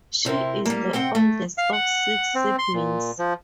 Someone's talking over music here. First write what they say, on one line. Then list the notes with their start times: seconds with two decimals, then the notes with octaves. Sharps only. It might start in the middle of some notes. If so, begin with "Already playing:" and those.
She is the oldest of six siblings.
0.25 C3 C4 E4 A#4
0.65 G3 A#3
0.93 C3 F#3 C4 F#5 G5
1.15 A3
1.58 F5
1.73 F#5
2.35 C4
2.59 C6
2.74 A#2
3.19 F3